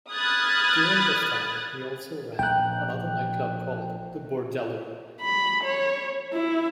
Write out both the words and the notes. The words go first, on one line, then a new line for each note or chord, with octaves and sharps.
During this time, he also ran another nightclub called the Bordello.
B5 D#6 F6 F#6 G#6 A6
A#1 G5 F#6
B5
C#5
E4